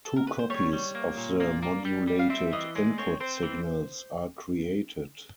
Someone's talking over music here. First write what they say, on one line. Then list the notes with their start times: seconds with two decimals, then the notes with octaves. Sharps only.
Two copies of the modulated input signals are created.
0.05 A4
0.16 A#4
0.27 B4
0.39 C5
0.50 G3 C#5
0.73 G3
0.95 A#3
1.17 A#2
1.40 A#3 D5
1.63 A#3
1.85 G3
2.07 G3
2.19 F5
2.30 C4 E5
2.53 E3 D#5
2.75 G#3 D5
2.98 C4 C#5
3.20 C4 C5
3.43 E3